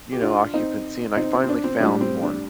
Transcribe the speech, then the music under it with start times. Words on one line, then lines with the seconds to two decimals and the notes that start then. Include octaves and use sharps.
you know, occupancy, and I finally found one.
0.13 G4
0.21 D4 F4
0.54 C4 D#4
1.17 C4 D#4
1.33 C4
1.44 C4
1.49 D4
1.64 C4
1.80 A2 G3 D4
2.01 C4
2.23 D4